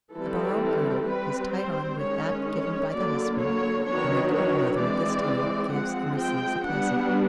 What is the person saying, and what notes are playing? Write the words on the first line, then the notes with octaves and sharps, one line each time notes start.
The borrowed girdle is tied on with that given by the husband, and the girdle-mother at this time gives and receives a present.
E3 G3 C4 A4
A4
G3 C4 B4
C5
D#3 G#3 C#4 C#5
C#5
D3 F#3 A#3 D5
C#5
D#3 F#3 B3 D4 C#5
C#5
E3 G#3 C4 D5
F3 G#3 C4 F#5
G5
G3 B3 D4 F#5